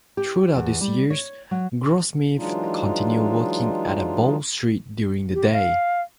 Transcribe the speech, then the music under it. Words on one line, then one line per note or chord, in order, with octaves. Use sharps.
Throughout these years, Grossmith continued working at Bow Street during the day.
G4
E2
G3
C#5
F#3
E3 F#3 G#3 D4 D#4 F4
G4
F5